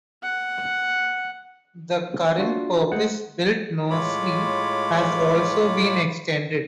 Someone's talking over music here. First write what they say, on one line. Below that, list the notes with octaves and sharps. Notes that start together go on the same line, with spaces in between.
The current purpose built Nursery has also been extended.
F#5
D4 F4 F#4
G#3 A3 C5 F#5
A2 G#3 F4 C#5 B5 D6